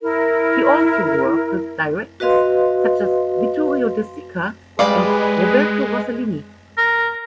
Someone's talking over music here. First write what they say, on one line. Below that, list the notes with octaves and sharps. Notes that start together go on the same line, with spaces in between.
He also worked with directors such as Vittorio De Sica and Roberto Rossellini.
E4 A#4
F#4 B4 D#5 F5 C6
G3 G#3 G#4 B4 D5 F5
A#4